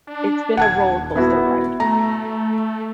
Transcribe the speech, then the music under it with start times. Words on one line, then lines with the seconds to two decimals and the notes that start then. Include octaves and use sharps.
it's been a roller coaster ride.
0.07 D4
0.57 D#1 F#5 A5 G#6
1.16 B3 E4 F#4
1.80 A3 A#5